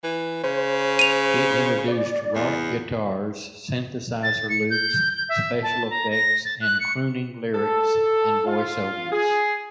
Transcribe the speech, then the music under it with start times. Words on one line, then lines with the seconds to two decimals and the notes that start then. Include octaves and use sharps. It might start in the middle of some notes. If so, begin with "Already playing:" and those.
It introduced rock guitars, synthesizer loops, special effects, and crooning lyrics and voice overs.
0.04 E3
0.44 C#3 C5
0.99 D#7 F7
1.88 D5
2.35 E2
4.23 A6
4.50 C#7
4.70 G6
5.13 G6
5.29 E5
5.63 A5
5.90 A#5
6.11 A#6
6.45 A6
6.61 F#6
6.80 C#7
7.54 A4
8.47 F4
9.12 G#4